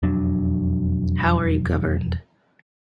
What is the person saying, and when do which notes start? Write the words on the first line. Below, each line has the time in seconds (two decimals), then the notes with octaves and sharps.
How are you governed?
0.03 E1 F2 F#3 D4